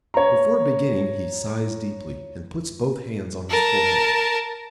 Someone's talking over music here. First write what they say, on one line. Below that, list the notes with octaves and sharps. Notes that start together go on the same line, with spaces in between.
Before beginning, he sighs deeply and puts both hands on his forehead.
C#5 A#5
A#4 A5